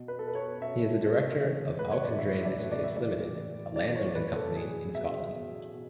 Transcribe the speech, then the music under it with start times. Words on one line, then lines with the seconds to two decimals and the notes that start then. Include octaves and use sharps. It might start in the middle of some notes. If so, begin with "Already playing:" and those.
He is a director of Auchendrane Estates Limited, a landowning company in Scotland.
Already playing: B2
0.08 B4
0.19 A4
0.22 B2
0.28 B4
0.35 C#5
0.61 B2 E5
1.00 B2
1.40 E3
1.79 A2 B4
1.91 C#5
2.05 D5
2.18 E3 E5
2.41 E5
2.45 D5
2.58 A2
2.72 D5
2.84 E5
2.96 E3 D5
3.37 A2
3.76 E3 D5
3.96 C#5
4.15 A2 B4
4.36 A4
4.55 B2 G#4
4.95 B2 E5
5.35 B2
5.74 B2